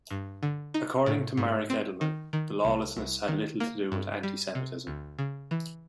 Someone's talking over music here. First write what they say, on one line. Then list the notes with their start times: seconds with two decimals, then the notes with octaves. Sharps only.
According to Marek Edelman the lawlessness had little to do with antisemitism.
0.11 G2
0.43 D3
0.74 D#4
1.06 A2
1.37 G#2
1.70 C4
2.01 D#3
2.33 D#3
2.65 C2
2.97 C2
3.28 D#3
3.60 A#3
3.92 G2
4.23 G3
4.55 C3
4.87 D2
5.19 C#3
5.51 E3